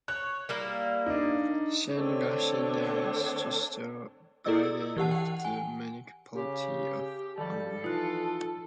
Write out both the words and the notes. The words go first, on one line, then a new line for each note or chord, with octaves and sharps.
San Agustin now is just a barangay of the Municipality of Aroroy.
C#5 F#6
G3 A#3 E4
D4 D#4
D3 A3 C4 D4 A4 C#5
E4 G#4 A4 D5 D#5 E6
E6
E3 G4 F#5 A5
F#5 G5
G#5
C#3 G4
D#3 F3 G3 A4
E3 D#4 F4 F#6